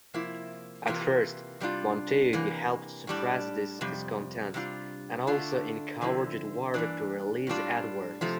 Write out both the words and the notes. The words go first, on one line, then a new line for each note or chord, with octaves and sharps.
At first, Montagu helped suppress this discontent, and also encouraged Warwick to release Edward.
C3 F3 A#3 E4
C3 E3 A#3 F4
C3 G3 D4 F4
C3 E3 A#3
A2 G3 D4
F2 C3 G3
C3 G3 D4 F4
D3 A3 D4 F4
D3 F3 C4 E4
G2 E3 A#3 D4
A2 G3 D4 F4
C3 F3 A3